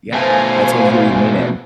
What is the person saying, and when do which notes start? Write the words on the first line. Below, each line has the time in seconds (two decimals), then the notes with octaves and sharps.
Yeah, I totally hear what you mean, and,
0.14 B2 A3 C5 F5 G#5